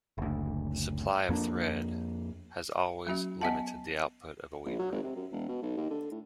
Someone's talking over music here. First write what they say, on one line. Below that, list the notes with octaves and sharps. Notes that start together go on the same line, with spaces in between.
The supply of thread has always limited the output of a weaver.
F#1 D2
F2 A#3 C#4 D4
F#3 A#3 C#4 F#4 E5
B3 D#5 E5 F#5 A5
A#1
F#3
G#1
C3
F#2
E1
B2
B1
D#2
D3
A2